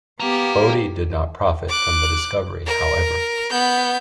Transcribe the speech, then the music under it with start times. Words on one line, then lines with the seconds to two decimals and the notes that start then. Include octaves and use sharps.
Bodey did not profit from the discovery however.
0.20 B3 G4 F5 A#5
1.68 D6 F#6
2.66 A#4
3.50 B3 G6